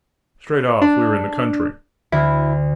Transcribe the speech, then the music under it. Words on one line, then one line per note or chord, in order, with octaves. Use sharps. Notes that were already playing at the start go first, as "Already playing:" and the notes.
Straight off, we were in the country.
D4
D2 E4